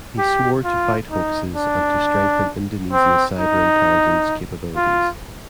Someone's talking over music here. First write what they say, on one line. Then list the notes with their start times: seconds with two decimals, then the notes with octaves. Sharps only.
He swore to fight hoaxes and to strengthen Indonesia cyber intelligence capabilities.
0.18 G4
0.64 F4
1.10 D#4
1.56 D4
2.93 C4
3.39 D#4
4.76 F4